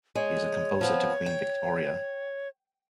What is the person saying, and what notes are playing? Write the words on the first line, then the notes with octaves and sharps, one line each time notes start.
He is a composer to Queen Victoria.
G#3 C#5
F3 B3 C4
G5